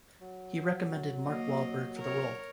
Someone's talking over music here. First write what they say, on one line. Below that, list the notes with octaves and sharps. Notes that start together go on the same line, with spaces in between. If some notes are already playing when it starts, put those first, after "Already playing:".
He recommended Mark Wahlberg for the role.
F#3
A#3 D#5
A#4 C#5